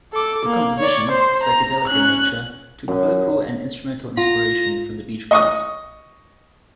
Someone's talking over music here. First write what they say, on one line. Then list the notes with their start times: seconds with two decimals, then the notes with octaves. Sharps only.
The composition, psychedelic in nature, took vocal and instrumental inspiration from The Beach Boys.
0.13 A4 D6
0.46 A#3
0.80 C#5 D5
1.10 C5 C6
1.44 A#5
1.88 C#4 F#6
2.88 F#2
4.17 F4 A#5
5.31 D#5 C#6 D#6